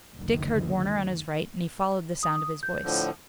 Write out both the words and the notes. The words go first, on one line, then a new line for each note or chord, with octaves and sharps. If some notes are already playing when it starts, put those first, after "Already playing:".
Dick heard Warner on his right, and he followed the sound of his voice.
F#1 D2 D3 D#3
D#6
G6
A2 D3 F3